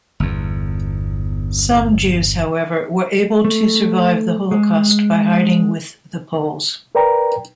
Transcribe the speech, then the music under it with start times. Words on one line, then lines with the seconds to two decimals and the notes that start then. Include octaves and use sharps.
Some Jews, however, were able to survive the Holocaust by hiding with the Poles.
0.20 G1 E2
3.45 A3
4.51 G#3
6.95 A#4 B4 D5 G5 A#5